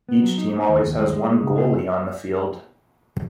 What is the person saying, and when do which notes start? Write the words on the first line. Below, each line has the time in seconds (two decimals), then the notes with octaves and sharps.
Each team always has one goalie on the field.
0.09 B3
0.23 F#3
0.38 D#4
0.54 D#4
0.69 D#2
0.84 D#2
0.99 G#3
1.13 G#3
1.28 G#3
1.43 C#3
1.58 G#4